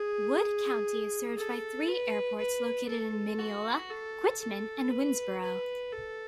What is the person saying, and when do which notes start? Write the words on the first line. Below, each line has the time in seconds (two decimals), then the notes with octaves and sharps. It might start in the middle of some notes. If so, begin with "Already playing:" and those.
Wood County is served by three airports located in Mineola, Quitman, and Winnsboro.
Already playing: G#4
1.37 A4
1.88 B4
2.38 B4
2.89 A4
3.39 F#4
3.90 A4
4.41 A4
4.90 B4
5.42 B4
5.92 A4